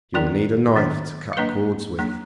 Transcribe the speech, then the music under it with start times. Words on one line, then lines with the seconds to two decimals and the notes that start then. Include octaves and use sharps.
You will need a knife to cut cords with.
0.14 D#3 F#3 B3 D4 A#4 D5
0.76 D#3 F#3 B3 D4
1.33 F5
1.37 F#3 A#3 D4 B4 D#5
1.99 F#3 A#3 D4